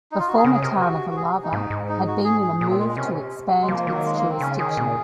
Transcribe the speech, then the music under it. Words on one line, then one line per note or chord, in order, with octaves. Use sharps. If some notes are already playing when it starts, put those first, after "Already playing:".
The former town of Alava had been in a move to expand its jurisdiction.
D#4
F4
F#4
G#4
C#3 A#4
G#4
C3 A#4
F#4
F#4
G#4
D#4
G#2
G#2
D#4
F#4
G#4
G#4
A#2 G#4
C4
G#3
G#3
C3 C#4
G#3
F3 A#3
D#3
F#3
G#3
A#3
C4
C#3 C#4
D#3 G#4
A#2